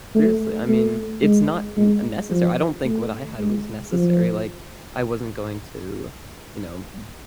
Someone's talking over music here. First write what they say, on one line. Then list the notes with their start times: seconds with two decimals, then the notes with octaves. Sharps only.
seriously, I mean, it's not n necessary, I don't think what I had was necessary, like, I wasn't going to, you know, b
0.15 A3
0.69 A3
1.23 G#3
1.77 G#3
2.31 F3
2.85 A3
3.39 G#3
3.92 F3